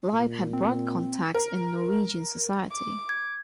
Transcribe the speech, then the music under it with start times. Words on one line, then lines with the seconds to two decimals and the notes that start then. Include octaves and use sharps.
Leib had broad contacts in Norwegian society.
0.13 A#2
0.53 C4
1.34 A#4
2.71 D6
3.09 G#6